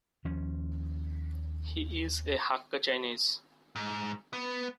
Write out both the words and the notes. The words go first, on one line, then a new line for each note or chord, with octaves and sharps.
He is a Hakka Chinese.
D#2 F3 C#4
G#2
B3